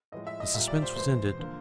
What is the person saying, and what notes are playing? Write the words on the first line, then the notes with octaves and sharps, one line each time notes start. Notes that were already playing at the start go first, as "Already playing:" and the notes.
The suspense was ended.
A2 F3 G#3 D#5
E5
D#5
A#2 G3 A#3 E5
D5
C5
E2 B2 G#3 C5
D3 F3 A#3